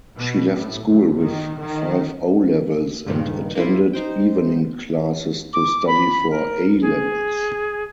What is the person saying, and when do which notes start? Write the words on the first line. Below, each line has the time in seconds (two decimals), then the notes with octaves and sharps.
She left school with five O-levels and attended evening classes to study for A-levels.
0.16 B2
0.55 A2
0.86 F#1
1.20 D#3
1.61 D#3
3.06 C#2 G2 A#2 D#3
3.55 A#3 E4 F4
3.93 D#4 C5 G5
5.53 D6
5.87 B5
6.30 A#4
6.81 G#4